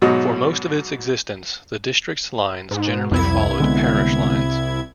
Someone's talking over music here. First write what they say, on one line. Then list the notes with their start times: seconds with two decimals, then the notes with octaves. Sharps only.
For most of its existence, the district's lines generally followed parish lines.
0.02 G#2 B2 F#3 D#4
2.71 G#2
3.12 C2 F2 E4 G#6
3.60 D3 G#3 B3